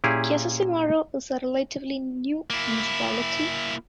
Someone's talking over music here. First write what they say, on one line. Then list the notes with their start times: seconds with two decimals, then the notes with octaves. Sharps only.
Casasimarro is a relatively new municipality.
0.04 A#2 C#4 E4 G4 G#4
2.50 A#3 E4